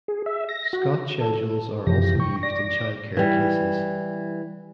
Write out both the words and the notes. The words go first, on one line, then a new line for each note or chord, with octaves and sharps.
Scott schedules are also used in child care cases.
G#4
E5
A#6
F#4
A4
F#2 C3 E3 F3 G4 A#6
G5 C#6
D5 A#6
E3 G3